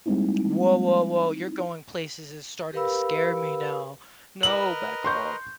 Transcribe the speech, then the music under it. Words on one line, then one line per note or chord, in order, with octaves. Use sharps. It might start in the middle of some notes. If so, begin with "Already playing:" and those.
Woah, woah, woah, you're going places, is starting to scare me now. No, back off.
G3 G#3 A#3 C4 D#4 E4
G4 A#4 B4 F5 B5 E6
A#4 B4 D#5 F#7
C6 C#6 G6